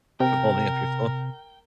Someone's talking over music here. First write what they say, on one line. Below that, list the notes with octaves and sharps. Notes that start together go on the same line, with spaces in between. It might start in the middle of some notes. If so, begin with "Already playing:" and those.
For holding up your phone.
C3 A#4 G5